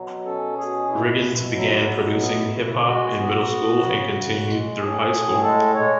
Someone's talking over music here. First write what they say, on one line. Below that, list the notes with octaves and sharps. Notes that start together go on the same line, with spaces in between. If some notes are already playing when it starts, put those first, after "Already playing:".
Riggins began producing hip hop in middle school and continued through high school.
Already playing: B2 F#3
C#4 A4
B2 G#4
B2 E4
B2
F#3 E4
B2
B3 E4
C#3
G#3 F#4
B3
B3
C#3
C#3
G#3
A2 G#4
A2
G#3 A4
G#3 C#5